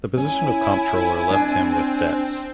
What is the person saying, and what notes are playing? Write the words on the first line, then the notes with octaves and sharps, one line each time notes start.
The position of comptroller left him with debts.
C#4 E4 G#5
C4 D4